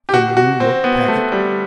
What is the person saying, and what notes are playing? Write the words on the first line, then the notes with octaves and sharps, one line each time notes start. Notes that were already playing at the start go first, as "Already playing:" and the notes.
From the New York Packet.
G4
F#4
F#4
C4
B3
A3
G3